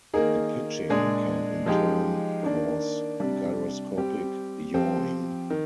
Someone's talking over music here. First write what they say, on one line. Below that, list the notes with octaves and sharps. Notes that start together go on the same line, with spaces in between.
The pitching can in turn cause gyroscopic yawing.
D#3 A#3 D#4 G#4
A#2 G#3 D4 G#4
F3 G#3 D#4 G4
D#3 A#3 D4
C3 G3 D4
G3 C4 G4
F3 C4 G4
D#3